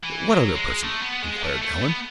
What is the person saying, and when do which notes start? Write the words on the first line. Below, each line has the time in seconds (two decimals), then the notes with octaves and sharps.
"What other person?" inquired Allan.
0.03 E3
0.30 F#3
0.56 G#3
0.83 A3
1.02 B3
1.22 G#3
1.42 A3
1.62 A3
1.81 B3